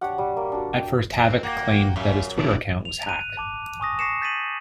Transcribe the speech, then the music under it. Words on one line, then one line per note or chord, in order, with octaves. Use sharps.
At first, Havoc claimed that his Twitter account was hacked.
D4 G4 C#5 F#5
G3
A#3
D4 F#4
G5
C4
A#3 F#4 G5
F#2 G3 F4 E5
B2 D4 E4 D5
F7
F#6 D#7
A5 D6
G#5 C#6 D#6 A#6
C#6 A#6 C7 C#7 E7
G6 A6 B6 C#7 D#7 F#7